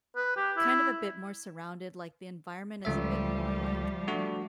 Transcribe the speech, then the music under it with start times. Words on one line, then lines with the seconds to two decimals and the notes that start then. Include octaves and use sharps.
kind of a bit more surrounded, like, the environment is a bit more like
0.16 B4
0.37 G4
0.57 E4
2.85 C#2 F3 G3 A3 E5
4.08 A3 D4 F#4